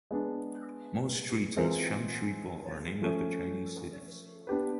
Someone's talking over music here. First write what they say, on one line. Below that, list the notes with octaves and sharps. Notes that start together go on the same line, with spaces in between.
Most streets in Sham Shui Po are named after Chinese cities.
G#3 B3 D4
E3 G#3 C4 F4 A#4
F3 A3 C#4
B3 D4 G4 B4